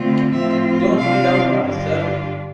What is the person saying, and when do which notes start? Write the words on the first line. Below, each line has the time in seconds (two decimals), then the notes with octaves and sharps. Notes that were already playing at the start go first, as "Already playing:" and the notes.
Don't be down-hearted, sir.
Already playing: D3 A3 C4 F4
0.32 A2 F3 C4 F4 E5
0.97 C3 G3 D4 F4 F5
1.64 G2 D3 G3 D4 F4